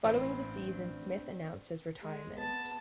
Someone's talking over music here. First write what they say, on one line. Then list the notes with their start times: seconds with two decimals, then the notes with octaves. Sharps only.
Following the season Smith announced his retirement.
0.04 A1 G2 C4
2.02 G#3
2.35 B3 A5